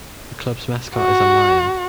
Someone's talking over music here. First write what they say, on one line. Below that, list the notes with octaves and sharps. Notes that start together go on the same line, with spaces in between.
The club's mascot is a lion.
F#4